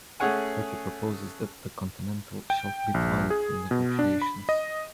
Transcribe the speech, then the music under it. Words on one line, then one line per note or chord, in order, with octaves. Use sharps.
Turkey proposes that the continental shelf be divided through negotiations.
A3 C#4 G#4 C#5 F#5 G#5
G5
A#1
G#4
B2
D4
B5
D#5